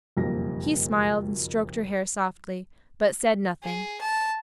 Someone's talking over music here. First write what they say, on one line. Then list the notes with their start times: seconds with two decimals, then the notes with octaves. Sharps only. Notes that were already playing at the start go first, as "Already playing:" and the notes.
He smiled, and stroked her hair softly, but said nothing.
0.17 F#1 B1 F2 G3 A#3 A#6
3.64 G#4
4.01 A5